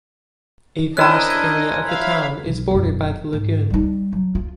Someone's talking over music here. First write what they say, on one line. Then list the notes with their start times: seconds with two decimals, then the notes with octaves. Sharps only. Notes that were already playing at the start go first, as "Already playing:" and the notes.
A vast area of the town is bordered by the lagoon.
0.97 C#4 D4 E4 A#4 C5 D#5 A#5 F#6
1.30 G#6
1.86 E5 F5 B5
2.46 B1
2.71 E1 F#2
3.33 G#2
3.70 G3 D#4
4.13 F#3
4.35 F4